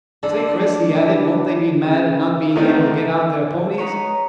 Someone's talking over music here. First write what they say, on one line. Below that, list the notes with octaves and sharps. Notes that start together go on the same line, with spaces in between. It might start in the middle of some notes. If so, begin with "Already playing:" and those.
"Say, Chris," he added, "won't they be mad at not being able to get out their ponies!"
D3 D4 A4
E4
C#3
D3 D#3 A3 C4 D#4 A5
D#4 B4 C#5